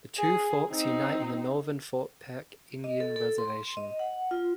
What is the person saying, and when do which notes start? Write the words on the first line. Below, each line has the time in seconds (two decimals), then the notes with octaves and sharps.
The two forks unite in the northern Fort Peck Indian Reservation.
0.18 G#4
0.70 C4 D#4
2.84 D#5
3.00 A4
3.16 A4
3.38 C6
3.77 D#5
3.99 F#5
4.31 F4